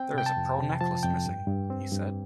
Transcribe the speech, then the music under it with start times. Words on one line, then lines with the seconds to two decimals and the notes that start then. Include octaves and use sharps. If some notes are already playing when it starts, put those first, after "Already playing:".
"There is a pearl necklace missing," he said.
Already playing: C4 G5
0.14 C3 G5
0.26 A5
0.37 F2
0.59 C3
0.81 F3 A5
1.03 F2 G5
1.26 G2
1.47 G2
1.70 C4
1.92 G2